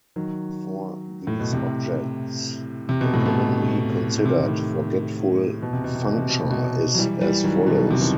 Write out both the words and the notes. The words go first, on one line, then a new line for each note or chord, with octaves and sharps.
For these objects, a commonly considered forgetful functor is as follows.
D#3 F#3
A2
B2
A2 C3
C3
B2
A2
B2
C3
D#3
A2 C3
B2
C3
B2
C3
B2
C3
B2
C3
B2
F#3
E3 G3
E3 G3
D#3 F#3
B2 D#3
C3
B2 D#3